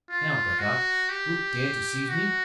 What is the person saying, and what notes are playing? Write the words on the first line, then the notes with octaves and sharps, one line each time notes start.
"Now, braggart, wilt dare to seize me?"
F4
F#4
G4
F#4